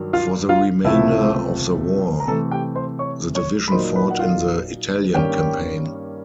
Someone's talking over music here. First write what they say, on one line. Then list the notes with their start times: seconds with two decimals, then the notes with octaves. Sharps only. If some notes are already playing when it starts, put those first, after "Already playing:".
For the remainder of the war, the division fought in the Italian Campaign.
Already playing: G2 D#3 F#3
0.13 F4 F5
0.49 F4 F5
0.84 C#2 C3 F3 A3 E4 E5
2.20 A#5
2.28 C3 E3 A3 A4 A5
2.51 G4 G5
2.75 C5 C6
2.99 C#5 C#6
3.35 C#5 C#6
3.68 B5
3.71 A#2 F#3 A#3 D#4 C5 C6
3.95 B4 B5
4.10 F#5
4.19 F4 F5
5.14 G2 D#3 G3 A#3 C#4 G4 G5